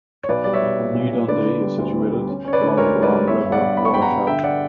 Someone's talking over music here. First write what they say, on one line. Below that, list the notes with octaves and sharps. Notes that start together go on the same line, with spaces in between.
New Dundee is situated along the Grand River watershed.
C#5
B1 B4 D5
G3 D5
C#5 E5
B1
A#2
A#2
A#2
D3 B4 D5
B3
G3
D2
B3
G3
C#4
C#4 C#5
B4 D5
D3
D5
D2 A#4 C#5
G3
B4 D5
G3
B3 C#5 E5
G2
D5 F#5
G2
B3 B5
C#6
G2 G5 B5
F#5 A#5
G2
D3 E5 G5
D5 F#5